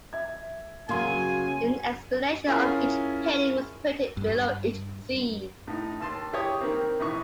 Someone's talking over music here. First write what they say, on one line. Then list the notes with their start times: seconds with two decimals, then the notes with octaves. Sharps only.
An explanation of each painting was printed below each scene.
0.13 E5 G#6
0.89 C#3 F#3 A#3 F5 G#5 C6
2.48 C#4 E4 F4 G#4 A#4 E5
4.17 G2
5.68 A2 D#4
6.00 D#2 A5 C6
6.33 E4 G4 C#5 D#6
6.61 D#3 A#3 C4
7.00 A#1 E3 D#4 E4 C#6